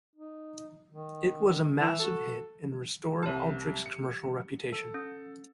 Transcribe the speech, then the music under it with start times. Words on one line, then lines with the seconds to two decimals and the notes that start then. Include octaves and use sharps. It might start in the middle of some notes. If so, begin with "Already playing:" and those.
It was a massive hit and restored Aldrich's commercial reputation.
0.15 D#4
0.90 D#3
1.81 E3
2.00 F#4 A4
3.23 C2 G4 C#5 A5
3.86 C#7
4.72 A4
4.94 C#4